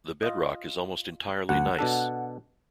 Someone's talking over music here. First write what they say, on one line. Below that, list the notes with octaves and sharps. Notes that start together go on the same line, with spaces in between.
The bedrock is almost entirely gneiss.
F4 D#5
D2 F#5
B2 D4 A4